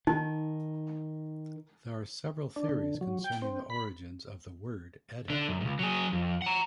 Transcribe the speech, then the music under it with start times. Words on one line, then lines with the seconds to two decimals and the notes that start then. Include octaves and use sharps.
There are several theories concerning the origins of the word "edda".
0.07 D#3 D#4
2.56 D4
2.69 D3
3.01 F#3
3.24 G5
3.42 C4
3.70 B5
5.30 D3 D4
5.49 F#2
5.60 C#2 G#2
5.79 F#3 G#4
6.13 F2
6.42 F#5 A#5